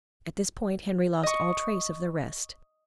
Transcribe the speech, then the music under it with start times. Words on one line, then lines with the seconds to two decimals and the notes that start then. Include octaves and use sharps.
At this point Henry lost all trace of the rest.
1.23 D#5 C#6